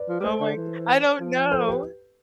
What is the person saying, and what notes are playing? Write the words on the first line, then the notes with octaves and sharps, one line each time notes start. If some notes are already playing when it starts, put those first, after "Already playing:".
Oh my g I don't know.
Already playing: B4 D5
F3
G3
A3 A4 C5
D3
E3
F3
A4 C5
G4 B4